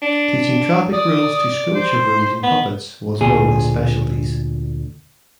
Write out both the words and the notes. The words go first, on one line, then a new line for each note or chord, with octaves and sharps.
Teaching traffic rules to school children using puppets was one of his specialties.
D4
D5 D#6
C5
B3
D2 A#2 G#4